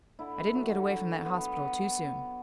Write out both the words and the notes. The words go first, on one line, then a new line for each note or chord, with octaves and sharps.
I didn't get away from that hospital too soon.
D3 E4
F#3
F#3
B3